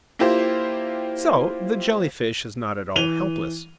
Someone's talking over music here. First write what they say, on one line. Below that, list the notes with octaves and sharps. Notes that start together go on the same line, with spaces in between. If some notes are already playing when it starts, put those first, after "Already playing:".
So the Jelly-fish is not at all helpless.
A#3 E4 F4 G4 C5
E3 D#7 F7 G7